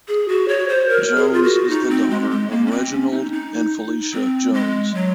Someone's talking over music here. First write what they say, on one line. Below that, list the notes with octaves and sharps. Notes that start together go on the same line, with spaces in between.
Jones is the daughter of Reginald and Felicia Jones.
G#4
F#4
C#5
C5
A#4
G#4
F4
F#4
D#4
C4
G#3
G#3
A#3
C#4
C4
C#4
D#4
D#4
C4
G#3
F#3